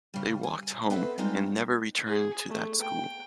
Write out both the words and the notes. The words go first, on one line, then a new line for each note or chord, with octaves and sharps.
They walked home, and never returned to that school.
C#3 G3
G#5
B3 C4 A4 B4 E5
G3 G#3 C4 D#4 F4
G#4
A3
G5